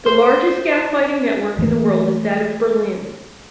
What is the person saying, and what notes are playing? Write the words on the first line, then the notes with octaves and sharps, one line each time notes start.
The largest gas lighting network in the world is that of Berlin.
C5
E3 A3 A#3